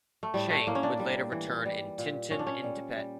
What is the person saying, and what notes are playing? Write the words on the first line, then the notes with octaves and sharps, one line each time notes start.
Chang would later return in "Tintin in Tibet".
A3
A2 G3
A3
A2 A#3
C#4
D4
G3
E3
G3
A#2
A#2 C#4
D4
C#4
G3
G3